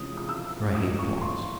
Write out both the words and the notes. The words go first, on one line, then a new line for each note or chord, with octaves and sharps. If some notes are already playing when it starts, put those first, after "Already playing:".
For I hate Florence.
Already playing: C3 E3 G#3 C#4 F4 D#6
D#6
E6
A2 E3 G#3 C#4 F4 D#6
C#6
C6